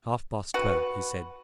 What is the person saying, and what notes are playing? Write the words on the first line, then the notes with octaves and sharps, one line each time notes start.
"Half-past twelve," he said.
F#4 B4